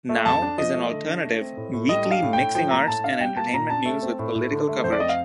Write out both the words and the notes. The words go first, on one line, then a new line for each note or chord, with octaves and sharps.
"Now" is an alternative weekly mixing arts and entertainment news with political coverage.
A3
F2 A5
D4
F3 D#5
A3
D3
D4
A3
C4
A2
A2
G3 D#5
D4
F5
A2
G5
A2
F3 G5
A#3 A#5
A2 A5
D4 F5
G3 G5
A#3 A5
A#2 A#5
D4 A5
A3
C4
A2
A2
D3
A3
F2 C5
D5
C4 D#5
F5